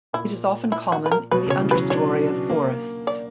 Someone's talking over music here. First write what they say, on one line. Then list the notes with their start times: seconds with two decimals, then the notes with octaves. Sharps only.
It is often common in the understorey of forests.
0.13 A#2 E4
0.72 E4
0.92 F#4
1.06 B4
1.11 A#4
1.31 B2 B4
1.47 C#3 C#5
1.60 E3
1.71 B4
1.75 F#3
1.90 D4 C#5
2.49 A#3
3.07 D5